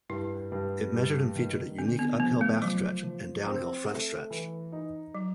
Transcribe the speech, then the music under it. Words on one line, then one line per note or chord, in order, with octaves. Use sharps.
It measured and featured a unique uphill backstretch and downhill frontstretch.
G2 E4
G2
G3
D#3
D3 C4
B3
F3 B3
A3
F3 F#3
F3
C4
A3
E3
D#4
F#3